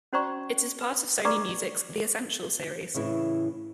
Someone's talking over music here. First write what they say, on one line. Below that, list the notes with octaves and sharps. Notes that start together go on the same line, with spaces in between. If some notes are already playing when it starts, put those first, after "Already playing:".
It is part of Sony Music's "The Essential" series.
C#4 F#4 C5 D5 A#5 C#6
B4
D4 B4 D5 A#5 C#6 D6
A2 C#3 E3 E4